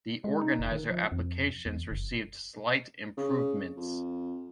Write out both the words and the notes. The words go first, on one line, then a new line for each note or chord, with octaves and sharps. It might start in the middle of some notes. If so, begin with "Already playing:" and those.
The organizer applications received slight improvements.
G#3
D#4
F1
D#3
F3
F2
E2
F#1
C#3
F2